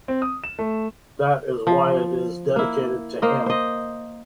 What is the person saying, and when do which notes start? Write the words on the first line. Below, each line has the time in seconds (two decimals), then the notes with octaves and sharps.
That is why it is dedicated to him.
0.08 C4
0.22 D#6
0.44 E7
0.59 A3
1.67 F3
2.56 A#3 E4
3.22 A#3 C5 D#5
3.46 C5 D#5